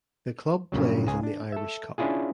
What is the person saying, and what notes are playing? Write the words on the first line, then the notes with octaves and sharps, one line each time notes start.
The club plays in the Irish Cup.
G2 A#2 C#3 F#3
C#2 G#4 G#5
D4
A4 E5
C#4 D4 E4 F4 G#4